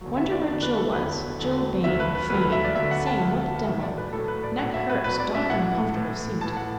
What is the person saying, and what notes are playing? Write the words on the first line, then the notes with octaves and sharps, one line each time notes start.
Wonder where Jill was--Jill Bayne, Fayne, Sayne--what the devil--neck hurts, darned uncomfortable seat.
E2 D3 F#3
E5
D5
E2 D3 F#3 D5
B4
A4
E2 D3 F#3 B4
E2 D3 F#3
D2 D3 F#3 E5
B4
B4
D2 D3 F#3 B4
B4
E5
D5
D2 D3 F#3 E5
F#5
A5
D2 D3 F#3 F#5
A2 F#3 E5
D5
B4
A2 F#3 A4
B4
D5
A2 F#3 F#5
E5
B4
A2 F#3 B4
D5
E5
A2 E3 F#5
A2 E3
A2 E3 A5
F#5